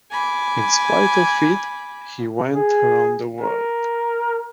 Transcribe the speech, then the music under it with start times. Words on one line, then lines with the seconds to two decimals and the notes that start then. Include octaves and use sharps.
In spite of it he went round the world.
0.10 G#5 B5 D6
2.55 G#4
3.40 A#4